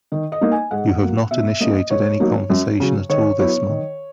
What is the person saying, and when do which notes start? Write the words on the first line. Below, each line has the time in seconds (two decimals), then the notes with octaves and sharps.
You have not initiated any conversation at all this month.
0.12 D#3
0.32 D#5
0.41 A#3 D#4
0.52 G#5
0.71 G#2 F#5
1.01 F#3 A#3
1.31 B2 E5
1.60 A#3 C#4 D#5
1.90 G#2 C#5
2.20 F#3 A#3 D#4
2.50 F#2
2.80 C#3 F#3
3.09 D#3 C#5
3.39 F#3 B3 E4 C#5
3.69 D#3